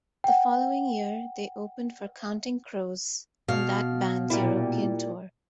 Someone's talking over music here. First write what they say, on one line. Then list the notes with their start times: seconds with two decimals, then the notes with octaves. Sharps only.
The following year they opened for Counting Crows on that band's European tour.
0.24 F#5 G5
3.48 B2 F5
4.30 A#2 G3 E4